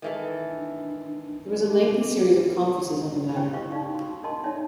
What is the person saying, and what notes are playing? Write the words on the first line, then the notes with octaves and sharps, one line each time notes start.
There was a lengthy series of conferences on the matter.
D#3 E3 A4
D4
G4
E4 G4 C5 G5 C#6
D#5 F5 C#6
D#4 D5 F5 C#6
F#4
D4 A#4 D#5 A5 C6
D4 D#4 C#5 D5 E5